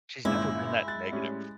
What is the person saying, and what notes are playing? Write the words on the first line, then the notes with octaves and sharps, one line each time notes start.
She's never been that negative
G1 A#2 G#3 C#4 E4
F#6 A6
A2 G3 C#4